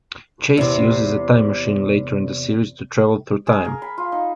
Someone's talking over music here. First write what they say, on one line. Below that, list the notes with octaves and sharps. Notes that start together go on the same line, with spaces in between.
Chase uses a time machine later in the series to travel through time.
E2 C3
G#4
A#4
B5
F4
D#4